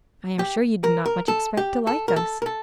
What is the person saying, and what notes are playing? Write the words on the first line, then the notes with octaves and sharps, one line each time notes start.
I am sure you did not much expect to like us.
G4
A#4
A#4
A4
G4
A4
A#4
A4
A#4
A4